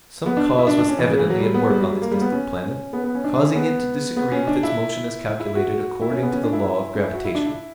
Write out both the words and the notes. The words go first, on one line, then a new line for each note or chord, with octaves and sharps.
Some cause was evidently at work on this distant planet, causing it to disagree with its motion as calculated according to the law of gravitation.
B3
D4
E4
D4
D4
C#4
E3
C#3
E3
F#3
G3
B3
G3
F#3
G3
A#3
G3
B3
C#4
C#4
B3
B3
C#4
D4
D4
C#4
B3
B3
C#4
D4
E4
E4
F#4
E4
C#4
B3
C#4
D4
E4
E4
C#4
E4
F#4
E4
D4
E4